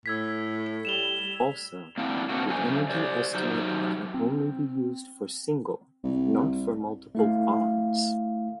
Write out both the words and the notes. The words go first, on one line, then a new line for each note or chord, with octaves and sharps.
Also, the energy estimate can be only used for single, not for multiple bonds.
A2 E6 G#6 B6
G3 E7 F7 G7
A#3 C4 D4 E4 F5 F#5
A#3 C4 D4 F#4
F#2 C#3 A4 C5 G#5
G4 C5 D5
F#3 D#4 G4 C5
C4
C2
A3 E4 F5